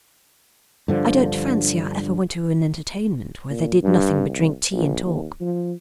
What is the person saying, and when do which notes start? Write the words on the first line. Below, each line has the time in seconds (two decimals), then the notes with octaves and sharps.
"I don't fancy I ever went to an entertainment where they did nothing but drink tea, and talk."
0.88 G2 D3 F3
3.50 A#2
3.83 G2
4.28 C2
4.73 A#1
5.05 D#2
5.41 F3